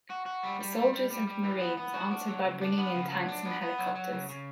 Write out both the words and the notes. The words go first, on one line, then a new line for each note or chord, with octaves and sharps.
The Soldiers and Marines answered by bringing in tanks and helicopters.
F#4
F#4
G3
G3
G3
G3
G3
G3
E3
B3
B3
F#4
D4
F#3
C#3
D4
B3
C#3
F#3
D4
B3
B3
F#3
F#3
C#3
C#3